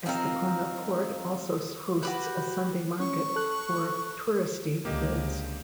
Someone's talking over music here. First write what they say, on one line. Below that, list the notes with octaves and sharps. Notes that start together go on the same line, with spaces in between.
Estepona port also hosts a Sunday market for "touristy" goods.
F3 C4 D#4 A#4
F#4 G4 B4
C#4 C#6
A4 F#6
C#2 D3 A#3 G4 D#5